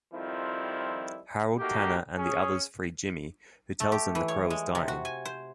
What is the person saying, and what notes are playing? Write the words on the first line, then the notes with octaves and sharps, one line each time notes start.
Harold, Tanner, and the others free Jimmy, who tells them the crow is dying.
F2 D#3 F3 G3 C4 E4
A3 A#3 D#4 F#4 G4
C#4 G#4
A3
G4
E3
C#5
G#3
C3
F#4
G#5
C5